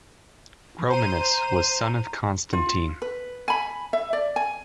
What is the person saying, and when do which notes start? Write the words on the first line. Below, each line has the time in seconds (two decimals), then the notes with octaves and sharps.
Romanus was son of Constantine.
0.90 C5 A#5 D#7
2.53 F4
3.02 B4
3.48 G#5 B5
3.93 E5
4.13 D5
4.36 G#5